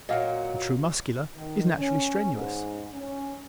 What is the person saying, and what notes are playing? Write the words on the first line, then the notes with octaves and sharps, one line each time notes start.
The true Muscular is naturally strenuous.
A#2 F#3 D#5 F5 F#5
D#3
C#4
G#2
C#4